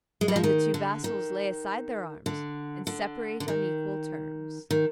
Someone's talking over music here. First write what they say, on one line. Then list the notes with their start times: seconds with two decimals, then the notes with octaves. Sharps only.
Then the two vassals lay aside their arms and separate on equal terms.
0.21 G#3
0.28 G3
0.36 F3
0.43 D#3
0.74 D3
1.04 D#3
2.26 D3
2.87 D3
3.40 D3
3.48 D#3
4.71 D#3